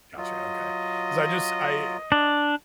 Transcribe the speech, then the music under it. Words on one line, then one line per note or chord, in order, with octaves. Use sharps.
Gotcha, okay, 'cause I just I
F#3 F4 D#5
D4